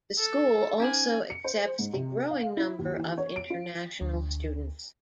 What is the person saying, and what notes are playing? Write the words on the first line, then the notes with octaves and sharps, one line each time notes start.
The school also accepts a growing number of international students.
A4
C#4 D#4 C5 G#5
C#7
C5
G#2
C3
F5
E4
D#2
E3
C#5
D7
F4
D2